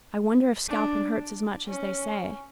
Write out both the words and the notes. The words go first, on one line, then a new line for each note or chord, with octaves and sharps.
I wonder if scalping hurts as much as they say.'
D4
C#4